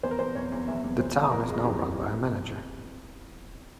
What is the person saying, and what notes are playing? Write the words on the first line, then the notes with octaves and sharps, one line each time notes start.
The town is now run by a manager.
E2 C5
A#4
E2 C5
E2 C#5
E2
E2 E5
E2
E2 C5
E2
F2 A#4
F2 G#4
E3 G4